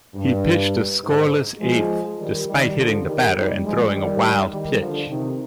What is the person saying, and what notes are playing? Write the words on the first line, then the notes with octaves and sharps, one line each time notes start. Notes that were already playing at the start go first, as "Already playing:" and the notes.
He pitched a scoreless eighth despite hitting a batter and throwing a wild pitch.
G2
G#2
F3 G#3
D#3 G3
D#3 G3
D3 F3
D#3 G3
D#3 G3
F3 G#3
D#3 G3
D#3 G3
D3 F3
C3 D#3